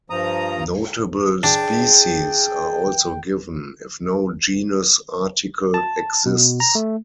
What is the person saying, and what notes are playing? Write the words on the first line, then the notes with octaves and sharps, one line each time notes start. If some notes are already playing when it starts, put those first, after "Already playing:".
Notable species are also given if no genus article exists.
G2 F3 A#5 D#6
D4 G#4 G5
A5
B2
A#5
A3